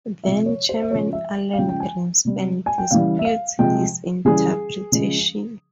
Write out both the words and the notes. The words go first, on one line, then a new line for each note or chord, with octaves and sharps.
Then-Chairman Alan Greenspan disputes this interpretation.
C3 F3 G#3 E5
C#5
C5
E5
C#3 F3 G#3 C#5
E5
F5
C#3 F3 G#3 G5
G5
G#5
C3 G3
G#5
G5
C#3 E3 G3 F5
E5
F5
C3 F3 G#3 G5
C#3 E3 G3 G#4
C#3 F3 G#3